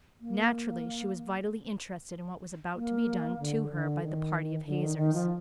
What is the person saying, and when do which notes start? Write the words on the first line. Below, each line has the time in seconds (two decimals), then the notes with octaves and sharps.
Naturally she was vitally interested in what was about to be done to her by the party of hazers.
0.21 A#3
2.75 A#3
3.39 D3
3.70 D3
4.02 D#3
4.65 D3
4.82 D#3
4.96 D#3
5.13 F3